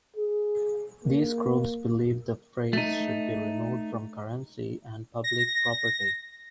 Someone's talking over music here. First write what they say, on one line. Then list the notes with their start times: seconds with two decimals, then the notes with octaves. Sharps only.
These groups believe the phrase should be removed from currency and public property.
0.16 G#4
1.04 A#3
2.73 A3 D#4
5.24 A#6